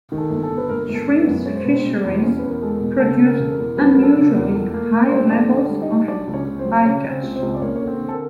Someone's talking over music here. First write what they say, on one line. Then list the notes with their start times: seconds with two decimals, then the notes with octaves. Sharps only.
Shrimp fisheries produce unusually high levels of bycatch.
0.12 D#3
0.18 A4
0.30 G1
0.43 A4
0.51 G1
0.57 B4
0.70 G1 A#4
0.84 G1 A#4
0.95 A4
1.08 G1
1.20 B3 B4
1.27 F#2
1.46 G#3 C#5
1.56 C5
1.64 B2 B4
1.73 C4 C5
1.85 B2
2.04 E2
2.23 E2 C#4 C#5
2.39 E2 B4
2.49 A#4
2.62 G#3 A4
2.75 A#4
2.81 B2
2.93 A#4
3.00 C#3 A4
3.19 C#3
3.26 A#4
3.39 E1
3.45 A4
3.52 A#4
3.58 E2
3.77 F#3 B3 B4
3.93 F#3 A#4
4.03 A4
4.16 C#3
4.29 A#4
4.35 E2
4.50 A#4
4.54 F2 A4
4.73 A#3
4.92 A#3
5.05 C4 C5
5.12 G3
5.30 F2 D4 D5
5.50 D3
5.56 D4 D5
5.69 G3
5.82 D#4 D#5
5.89 G3
6.08 F#3 D4 D5
6.27 C#2
6.34 C#4 C#5
6.47 C#2
6.59 C4 C5
6.65 F#3
6.85 C#3 C#4 C#5
7.05 C#3
7.10 C4 C5
7.23 C#2
7.36 C4 C5
7.42 C#2
7.55 D5
7.62 A#3 C#4 C#5
7.76 C#5
7.82 D3
7.87 C4 C5
8.01 D3
8.08 A4
8.13 A#4